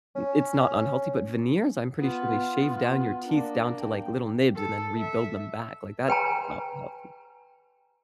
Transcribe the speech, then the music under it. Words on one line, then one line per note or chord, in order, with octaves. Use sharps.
i it's not unhealthy, but veneers, I'm pretty sure they shave down your teeth down to, like, little nibs and then rebuild them back, like, that is not healthy,
C#4
B3 F4
B3
A#3 D4
G5
A4
E5
B4 G5 G#5 A#5